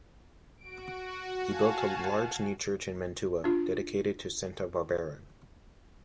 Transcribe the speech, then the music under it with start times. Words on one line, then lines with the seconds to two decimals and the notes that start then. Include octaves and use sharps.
He built a large new church in Mantua, dedicated to Santa Barbara.
0.62 F#4 D7
1.51 F5 G#5 A5
3.44 D4 F4